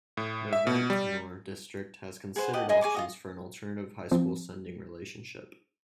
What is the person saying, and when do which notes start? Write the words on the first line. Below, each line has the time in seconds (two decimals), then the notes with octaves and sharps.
The Ventnor district has considered options for an alternative high school sending relationship.
0.17 A2
0.53 E5
0.67 B2
0.90 G3
2.36 G#4 B4 C5 F#5
2.53 G4 D#5 F#5 A5
2.69 G#4 D#5 G#5 D#6
2.81 G#4 G#5 C#6 D6
2.94 F4 F#4 D#5
4.11 F3 C4